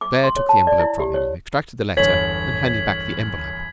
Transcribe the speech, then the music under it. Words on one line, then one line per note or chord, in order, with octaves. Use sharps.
Claire took the envelope from him, extracted the letter, and handed back the envelope.
D6
C6
C#5
A5
D5
E4
G4
C#5
G1 E2 C#5 G#6 B6 F#7